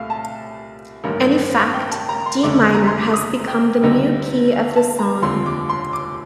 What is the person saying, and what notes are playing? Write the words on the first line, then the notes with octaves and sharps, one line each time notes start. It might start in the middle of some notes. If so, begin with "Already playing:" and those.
In effect, D minor has become the new key of the song.
Already playing: C2 A#2 A3 F5
A5
A1 G2 D#3 A#3
G5
A5
A#5
C6
F1 F2 D3 A3 D4 D6
A#5
C6
D6
D#6
G5
D2 D3 G3 C4 D#4
F5
A5
A#5
F1 D#2 D3 F3 C4 C6
D6
C6
D6